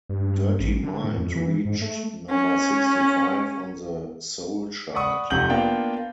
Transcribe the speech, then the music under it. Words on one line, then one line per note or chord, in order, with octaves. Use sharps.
"Dirty Mind" reached number sixty-five on the soul chart.
G2
A1
D3
A2
F2
E3
G#2
A3
C#4
D5 F#5 B5 C#6 D#6
F1 C3 F3 F#5 G6 F#7
A#3 B3 D4 F4 F5 G5